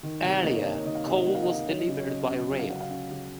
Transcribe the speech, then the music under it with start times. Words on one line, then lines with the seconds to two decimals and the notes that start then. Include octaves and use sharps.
Earlier, coal was delivered by rail.
0.03 D#3
0.24 C3
0.44 A#3 D#5
0.55 C#5
0.64 D#4 D#5
0.74 C#5
0.85 D#3 D#5
0.95 F5
1.06 C3 D#5
1.16 D#5
1.26 A#3 F#5
1.35 F5
1.42 D#5
1.47 D#4 F5
1.67 F#3 C#5
1.78 D#5
1.88 C#3 D#5
1.99 C#5
2.09 C#4 D#5
2.19 C#5
2.29 C#3 D#5
2.50 F#3 D#5
2.59 F5
2.69 C#3 F#5
2.80 F5
2.90 C#4 F5
3.11 C#3